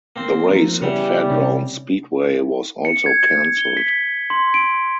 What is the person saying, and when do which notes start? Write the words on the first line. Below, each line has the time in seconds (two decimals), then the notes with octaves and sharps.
The race at Fairgrounds Speedway was also cancelled.
0.16 A#3 C4 C5
0.48 F3 A#4
0.82 C#3 E3 G3 B3 C#5
1.29 C3 C#4
2.85 C#7
3.06 G#6
3.57 G7
3.77 B6
4.30 C6
4.54 D7